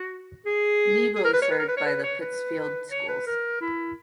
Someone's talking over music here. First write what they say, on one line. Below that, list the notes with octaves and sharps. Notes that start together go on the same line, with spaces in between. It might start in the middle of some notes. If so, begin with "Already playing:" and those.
Nebo is served by the Pittsfield Schools.
Already playing: F#4
G#4
G#4
A#4
B4
C#5
B4
A#4
B4
C#5
B4
C#5
B4
C#5
B4
A#4
E4